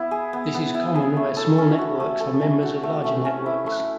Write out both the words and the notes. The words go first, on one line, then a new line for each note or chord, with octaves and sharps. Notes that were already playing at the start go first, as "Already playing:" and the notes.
This is common where small networks are members of larger networks.
Already playing: B3 E4
G#4
B3
B3
E4
G#4
A3
A4
C#4
F#4
A3
A4
C#4
F#4
A3
A3
C#4
E4
A3